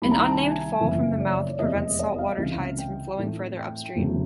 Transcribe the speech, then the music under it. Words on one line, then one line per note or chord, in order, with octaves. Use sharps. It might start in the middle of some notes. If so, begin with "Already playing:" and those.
An unnamed fall from the mouth prevents saltwater tides from flowing further upstream.
C2 C3 D#3 G3 A#3 B5
A#5
A5
G#5
F#1 F2 C#3 E3 A3 E5
D5
C#5
C#5
D5
F1 E2 C3 E3 G3 D#5
D#5
F5
C#2 C3 E3
G5
A2 E3 A3 C4
G5
F1 E2 C#3 F#3 A3